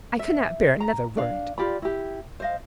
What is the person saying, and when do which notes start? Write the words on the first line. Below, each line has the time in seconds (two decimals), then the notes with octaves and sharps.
I could not bear another word.
0.19 E5
0.80 A#5
1.17 D4 F5
1.58 F4 G4 D5 B5
1.82 E4 G4
2.40 C5 D#5 F5